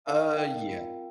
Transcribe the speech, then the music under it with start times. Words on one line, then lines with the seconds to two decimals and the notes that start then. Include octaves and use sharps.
Uh, yes.
0.07 D#4 A#4 D#5 F5
0.37 D#4 A#4 D#5 G5
0.67 C4 F4 A#4